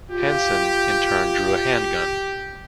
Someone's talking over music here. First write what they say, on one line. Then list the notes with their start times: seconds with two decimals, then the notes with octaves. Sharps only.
Hanson in turn drew a handgun.
0.10 F4 G4